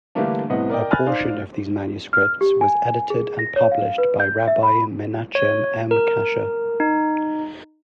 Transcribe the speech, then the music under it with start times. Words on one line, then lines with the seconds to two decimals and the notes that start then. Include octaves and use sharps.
A portion of these manuscripts was edited and published by Rabbi Menachem M. Kasher.
0.15 D3 E3 G3 A3 A#3 D4
0.50 C2 A2 C3 B3 D#5 F#5
0.70 A#4 D5 D#5 G5
0.91 G#5 B5 F6 F#6 A6
1.06 D#4 C5 D5 F5
2.13 F6
2.41 G4
2.61 G#5
3.10 G#4
3.39 A#6
3.56 C#5
3.71 F5
3.98 B4
4.20 G6
4.48 E5
4.63 B5
5.35 C#5
5.91 A#4
6.80 D#4